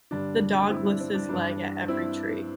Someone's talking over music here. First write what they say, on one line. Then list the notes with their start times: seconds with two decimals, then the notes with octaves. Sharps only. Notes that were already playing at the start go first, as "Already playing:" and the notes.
The dog lifts his leg at every tree.
0.11 G2 D3 G3 D4
0.69 C4 E4
0.85 D4
1.00 C4
1.14 D4
1.29 G2 E3 G3 D4
1.88 C4 E4